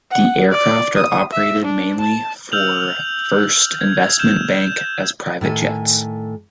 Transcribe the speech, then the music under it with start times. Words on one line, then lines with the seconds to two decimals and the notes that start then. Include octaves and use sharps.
The aircraft are operated mainly for First Investment Bank as private jets.
0.11 F#5
0.51 D5
0.96 D#6
1.32 E5
1.65 D4
2.00 A5
2.52 E6 F6 G6 F7 F#7
3.81 G#6
4.19 F6 G6 E7
5.41 A2 D#3 A4 G#5